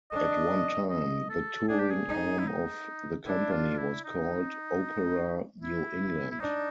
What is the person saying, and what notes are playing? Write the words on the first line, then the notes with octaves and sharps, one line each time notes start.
At one time, the touring arm of the company was called Opera New England.
D4 D#5
D#5
A4
D4 G#4
G4
G#4
D#4
E4
D#4
D4 E4
F4
E4
D#4
E4
E4
D4 D#4